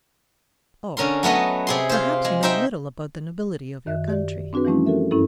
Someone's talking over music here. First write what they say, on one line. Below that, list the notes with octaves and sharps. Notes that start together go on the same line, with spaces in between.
"Oh. Perhaps you know little about the nobility of your country."
D3 C#4 A#4 C6
F#3 A3 B3 D#5
C3 G#4 C6
F4 C5
G#3
D#4 C5 E5 G5
F#2 D#3 E5 F#6
G4 D5
C4 D4 F#4 G#4 B4
E3 F3 G3 A3 C#4 E4
F#4 G4 A4 A#4 E5
G2 C#4 E4 A4